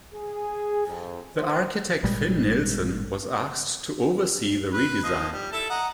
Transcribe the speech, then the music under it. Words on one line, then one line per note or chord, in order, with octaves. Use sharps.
The architect Finn Nilsson was asked to oversee the redesign.
G#4
F2
C5
G#1 A#2 G3 G#3
B4
F3 D#5
G3
E4 A4 E5
D#5 F#5 A#5